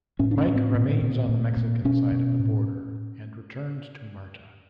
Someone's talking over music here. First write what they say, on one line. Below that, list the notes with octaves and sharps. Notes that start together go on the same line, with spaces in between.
Mike remains on the Mexican side of the border and returns to Marta.
A2 C#4
D4
C#4
A2
C4
A#2
A#2
A#2
A#2
B2 C#4
B2
A2